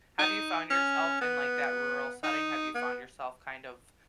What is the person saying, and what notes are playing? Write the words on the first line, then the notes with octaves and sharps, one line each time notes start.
Have you found yourself in, like, that rural setting? Have you found yourself kind of,
D#4
C#4
B3
D#4
B3